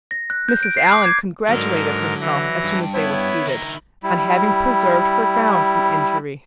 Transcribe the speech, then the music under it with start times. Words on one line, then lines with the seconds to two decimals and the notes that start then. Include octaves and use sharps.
Mrs. Allen congratulated herself, as soon as they were seated, on having preserved her gown from injury.
0.11 A#6
0.30 F#6
0.49 G6
0.63 D7
0.77 C7
0.92 D6
1.06 G#6
1.49 G#2 D3 F#3 A#4
2.20 E3 A#6
2.64 G2
2.94 B3 E4 C#5
3.47 D#3 E4 A#5
4.03 G3 E4